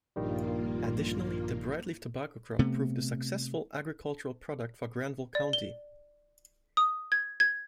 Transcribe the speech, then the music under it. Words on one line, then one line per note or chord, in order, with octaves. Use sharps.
Additionally, the bright leaf tobacco crop proved a successful agricultural product for Granville County.
A#1 G2 D#3 G3 A#3 F4
C3 A3 B3
D5
G7
D#6
G#6
G#6